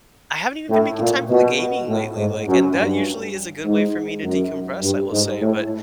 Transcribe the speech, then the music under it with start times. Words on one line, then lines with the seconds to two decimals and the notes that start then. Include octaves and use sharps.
I haven't even been making time for the gaming lately, like and that usually is a good way for me to decompress, I will say, but
0.70 A2
1.00 A#2
1.29 B2
1.88 A2
2.17 G#2
2.47 F#2
2.76 G2
3.65 G#2
4.24 F#2
4.82 G2
5.11 G#2
5.41 A2